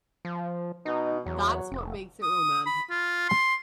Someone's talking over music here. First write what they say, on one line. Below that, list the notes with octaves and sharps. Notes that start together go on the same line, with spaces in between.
That's what makes it romantic.
F3
B2 D#4
E2 F#3
F1
D#6
B5
F4
C6